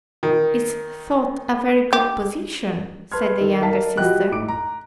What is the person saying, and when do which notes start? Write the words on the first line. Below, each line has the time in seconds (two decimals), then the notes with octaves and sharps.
"It's thought a very good position," said the younger sister.
0.23 D#3
1.93 G4
3.12 B4 A5 C6 F6 G#6
3.41 D#3 A4
3.61 D#4 A#4 F5 A5 B6
3.97 F3 F#4 G4 D#5 G5 F#6
4.32 A2 D#4 D6 D7
4.48 A#5